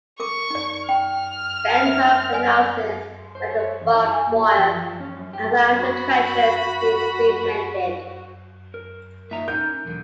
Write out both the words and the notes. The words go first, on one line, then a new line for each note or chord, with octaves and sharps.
Stanhope announces that the barbed wire around the trenches needs to be mended.
A#4 C#6 D6
D#4 D5
G5 F6
E5
D5 G#5
C5
C#5
E2
E4
G#5
A#2
A4
F3
F3
C#4
F#2
G4
F#4 B5
A#4
A#2 D#3 C#5 D#5 E5 A#5
C#4 D#4 A#4 G6
B1 E2 D3